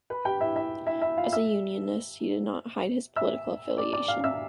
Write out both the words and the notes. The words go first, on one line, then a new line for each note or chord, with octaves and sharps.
As a unionist, he did not hide his political affiliation.
B4 B5
G4 G5
E4 E5
E4 E5
E4 E5
E4 E5
F4 F5
E5 E6
E5 E6
D5 D6
D5 D6
F5 F6
E5 E6